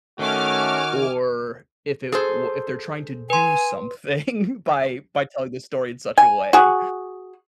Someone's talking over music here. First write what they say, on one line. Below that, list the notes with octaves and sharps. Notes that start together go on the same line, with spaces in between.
or if it wa if they're trying to do something by by telling the story in such a way.
D#3 A3 C#4 F#4 G#5 D6 F6
G#4 A4 C5
B4 G#5 C6
G#5
F#4 G#4